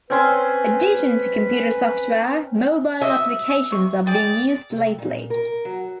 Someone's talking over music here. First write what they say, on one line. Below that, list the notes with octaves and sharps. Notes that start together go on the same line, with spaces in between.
Addition to computer software, mobile applications are being used lately.
C4 C#4 B4 C6
C3 F#4 D#5 E5
C3 C#6
G#4 D5 G5
C3
A#2
A#4
F#3